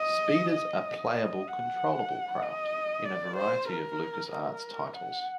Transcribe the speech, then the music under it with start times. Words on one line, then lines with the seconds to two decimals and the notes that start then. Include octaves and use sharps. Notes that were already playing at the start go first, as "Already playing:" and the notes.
Speeders are playable-controllable craft in a variety of LucasArts titles.
Already playing: D#5
0.53 D#5
1.16 D#5
1.48 F#5
2.43 D#5
3.05 D5
3.37 C5
3.69 A#4
4.31 A#4
4.94 F#5